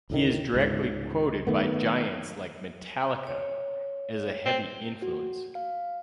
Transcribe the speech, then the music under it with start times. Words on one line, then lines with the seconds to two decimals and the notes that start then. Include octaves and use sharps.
He is directly quoted by giants like Metallica as a heavy influence.
0.10 D2 A2 D#3
0.54 C#2 G#2
1.47 D#3 A3 B3
3.27 C#5
4.46 C4
5.02 F#4
5.55 F5